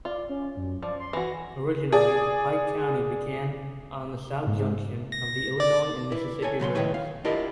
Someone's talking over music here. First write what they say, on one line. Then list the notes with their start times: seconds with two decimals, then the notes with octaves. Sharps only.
Originally Pike County began on the south junction of the Illinois and Mississippi rivers.
0.05 F4 D5
0.29 C#4
0.57 F#2
0.82 F3 D5
1.00 C6
1.13 E3 F#4 A#6
1.92 G#4 D5
4.47 G#2
5.12 A#6
5.60 D5
6.12 E4 B4
6.42 A4 C#5 G#5
6.60 C#3 F#3 B5 C6
6.75 A2 D#3 F3 E4 B4 C#5
6.94 F5
7.25 D4 E4 F4 G4 A#4 D#5